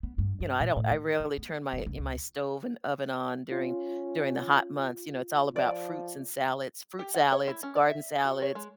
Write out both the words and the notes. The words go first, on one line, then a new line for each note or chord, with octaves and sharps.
you know, I don't I rarely turn my in my stove and oven on during during the hot months. You know, it's all about fruits and salads, fruit salads, garden salads,
B3
G2
G2
A#2
A2
D3
D3
B3
F#1
C#2
C#2
C#4 F4
F3 D5
G4
F#5
C#5
E4
C#4
D5
E5
F#4
C#5
G#3